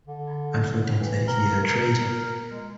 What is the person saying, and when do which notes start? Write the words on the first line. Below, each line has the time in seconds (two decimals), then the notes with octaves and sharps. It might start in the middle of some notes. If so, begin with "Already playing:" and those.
Unfortunately, he is a traitor.
0.07 D3
0.88 A2
1.00 E3
1.28 A#4
1.63 A#4
2.50 G#3